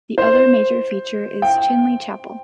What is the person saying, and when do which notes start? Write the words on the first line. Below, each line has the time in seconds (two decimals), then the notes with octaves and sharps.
The other major feature is Chinley Chapel.
0.18 C5
1.42 G5